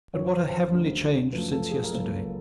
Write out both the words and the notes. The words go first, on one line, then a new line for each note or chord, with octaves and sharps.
But what a heavenly change since yesterday!
F#2 C#3 F3 C#5
C5
B4
C5
D2 C#3 F#3
F#2 C#3 F3 A3 B4
A4
G#4
A#4
C#2 C#3 F#3 A#3 A4